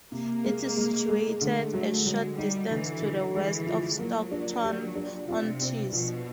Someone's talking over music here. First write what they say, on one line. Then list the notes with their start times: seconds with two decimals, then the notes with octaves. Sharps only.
It is situated a short distance to the west of Stockton-on-Tees.
0.12 C3 A#3
0.44 G#3
0.77 G#3
1.08 G#3
1.41 D3 A3
1.73 F#3 A3
2.06 F#3 G#3
2.37 G3 D#4
2.69 D3 E3
3.02 D3
3.35 E3 G#3
3.67 F3
3.99 F#3 A#3
4.32 D4
4.63 G4
4.95 D4
5.28 C3 F4
5.61 C4
5.93 B2 F3